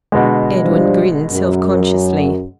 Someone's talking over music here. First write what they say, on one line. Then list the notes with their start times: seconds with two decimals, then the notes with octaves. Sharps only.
Edwin grinned self-consciously.
0.12 B2 D3 G#3
0.61 F3 G3 D4
1.31 F#2